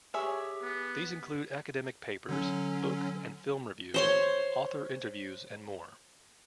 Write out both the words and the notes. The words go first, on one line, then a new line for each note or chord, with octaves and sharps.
These include academic papers, book and film reviews, author interviews and more.
G4 G#4 C#5 E5
B3
D3 F#3 C#4
C5 C#5 C6